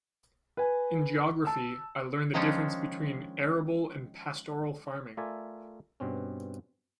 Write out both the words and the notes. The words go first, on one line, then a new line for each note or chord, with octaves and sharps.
In geography, I learned the difference between arable and pastoral farming.
B4 G#5
A5 E6
D#3 F3 G#3 C#4 D4
A3 F4 A#4 D5 E5 G#5
G2 B2 C4 C#4